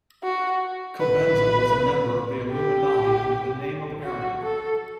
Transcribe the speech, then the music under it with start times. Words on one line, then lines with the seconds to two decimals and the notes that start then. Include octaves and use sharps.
Cobenzl was a member of the Illuminati under the name of Arrian.
0.24 F#4
1.00 B4
2.52 G4
4.04 F#4
4.42 A4